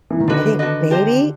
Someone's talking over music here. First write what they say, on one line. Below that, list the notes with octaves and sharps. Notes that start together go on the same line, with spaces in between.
I think, maybe?
E3
D#3
D3 D4 F#4 B4 D#5
D4 F#4 B4 D#5
D4 G4 C5 D#5